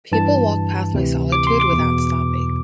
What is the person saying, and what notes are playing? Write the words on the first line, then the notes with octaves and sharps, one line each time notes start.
People walk pass my solitude without stopping.
G2 E3 A5
D2 C3 E3
D6
C6
D6
E2
B2